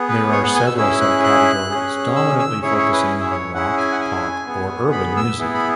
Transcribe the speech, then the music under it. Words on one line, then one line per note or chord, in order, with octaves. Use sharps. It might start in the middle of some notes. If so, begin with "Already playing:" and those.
There are several subcategories, dominantly focusing on rock, pop, or urban music.
Already playing: B3 G#4
B4
C#5
F#5
G#5
E6
C#4 E4 G#4 E6
F#6
F#6
C#4 G#4
E6
E6
C#4 E4 G#4 C#5
C#5
B4
E5
C#5
C#4 E4 G#4 F#5
G#5
F#5
G#5
B3 G#4
B5
E6
B3 E4 G#4
B5